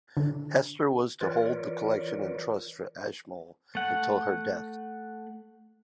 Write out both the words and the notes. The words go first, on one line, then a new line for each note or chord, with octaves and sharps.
Hester was to hold the collection in trust for Ashmole until her death.
D3
E3 F4 A#4 B4 C#5 D5
A3 F#5